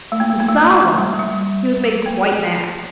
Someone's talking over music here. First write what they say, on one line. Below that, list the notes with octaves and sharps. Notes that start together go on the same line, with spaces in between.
If he saw one he was made quite mad.
A3
A#3
A3
A#3
A3
A#3
A3
G3
G3
A3
A#3